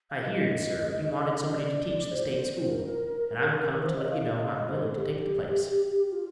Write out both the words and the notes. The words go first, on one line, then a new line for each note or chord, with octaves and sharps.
"I heerd, sir, you wanted somebody to teach the State school, and I'm come to let you know I'm willing to take the place."
F5
D#5
D#5
D5
C5
A#4
C5
D#5
F5
D#5
F5
D#5
C5
A4
G4
F4